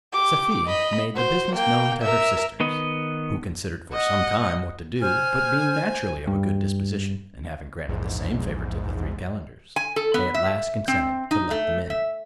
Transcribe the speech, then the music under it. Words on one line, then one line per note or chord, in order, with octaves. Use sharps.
Safie made the business known to her sisters, who considered for some time what to do: but being naturally of a good disposition, and having granted the same favour to the three calenders, they at last consented to let them in.
G4 D6
D#5 B5
F#4 C5
A#3 G5
A#4 E5
D#3 B3 D#5
D#5 F#5
C5 G#5 F6
G2
A#1 E2 G#2
G#5
A4
B3
E5
C4
D#4
A3
E5